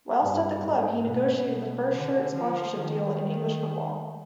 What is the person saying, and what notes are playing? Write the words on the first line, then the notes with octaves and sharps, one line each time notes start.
Whilst at the club he negotiated the first shirt sponsorship deal in English football.
G2
G#2
B2
D3
F3
D#3